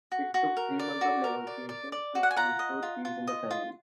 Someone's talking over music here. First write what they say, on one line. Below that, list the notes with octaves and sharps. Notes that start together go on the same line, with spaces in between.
It took three months of negotiations to restore peace in the family.
F#4
F#4
A#4
D5
F#4
A#4
D5
D5
D5
F#4
F#5
G#5
F4 F#5 A#5
D#5
F4
F4
D#5
F4